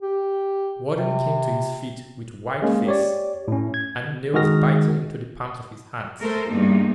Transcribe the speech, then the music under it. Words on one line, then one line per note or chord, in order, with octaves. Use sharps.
The warden came to his feet with white face, and nails biting into the palms of his hands.
G4
C3
G#3 A#3 C#4
G4 C#5 D5
A2 C#4
G#6
D#3 G#3 F#4 G#4 F6 A#6
A3 A4 A#4 C5
E2 G2 A#3 D#4